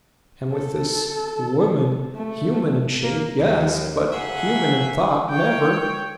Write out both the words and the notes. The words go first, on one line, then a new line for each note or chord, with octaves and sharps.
And with this--woman--human in shape, yes, but human in thought--never.
A4
A3
A#3
D#2
C#3 F#3 A3 G#4 E5 F#5
C#5 G5